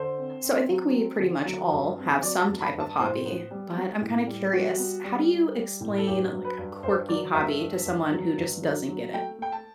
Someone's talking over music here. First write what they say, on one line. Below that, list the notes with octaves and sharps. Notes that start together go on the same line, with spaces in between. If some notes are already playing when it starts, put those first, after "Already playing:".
So I think we pretty much all have some type of hobby, but I'm kinda curious, how do you explain, like, a quirky hobby to someone who just doesn't get it?
Already playing: D3 C5
C4
C4
F#3
C4
D3
F#3
G2
C4
F#3 D5
A5
G2
B5
G2
A5
A2 C5
B3
G3
B3
A2
G3
G3 F#4
B3
G3
G3
G3
A2
A4
G2 G4
F#3
B4
G2
G2 C5
F#3 D5
G2 E5
G2
G2
F#3
G2
F#3
F#3
A3 G5
A3 G5
A5